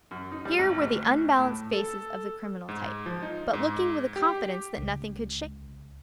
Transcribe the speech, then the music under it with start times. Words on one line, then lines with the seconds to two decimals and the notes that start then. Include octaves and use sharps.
Here were the unbalanced faces of the criminal type, but looking with a confidence that nothing could shake.
0.11 F#2
0.32 D#4
0.45 G3
0.59 G#1
0.82 D2
1.37 A2
1.73 A4
2.69 G#2
3.06 F3
3.22 D#4
3.53 G#2
4.16 G4
4.78 C#2